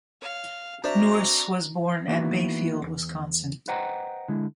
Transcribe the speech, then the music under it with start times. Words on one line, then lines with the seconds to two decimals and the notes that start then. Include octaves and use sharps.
Nourse was born at Bayfield, Wisconsin.
0.22 C#5 F5
0.84 C4 D4 F#4 C5 E5 A#5
2.08 E3 A#3 B3 D#4 E4 F#4
2.82 E2
3.68 B4 C5 D#5 F#5 G5 A#5
4.28 D3 G#3 E4